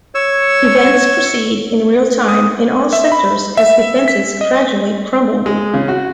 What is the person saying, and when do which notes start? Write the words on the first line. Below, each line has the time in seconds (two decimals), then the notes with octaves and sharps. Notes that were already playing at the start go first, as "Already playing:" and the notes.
Events proceed in real time in all sectors as defenses gradually crumble.
0.15 C#5 E6
2.28 D#6
2.93 E5
3.12 B5
3.57 E5
4.08 B6
4.41 D#5
5.46 G#3
5.74 C#3
5.88 F#4